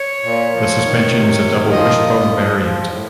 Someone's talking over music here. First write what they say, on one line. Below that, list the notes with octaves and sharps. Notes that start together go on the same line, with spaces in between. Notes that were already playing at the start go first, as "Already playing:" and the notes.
The suspension is a double wishbone variant.
Already playing: C#5
A#2
F3
D#3
C3
D#3
F3 D#5
A#2
F3
F3
A2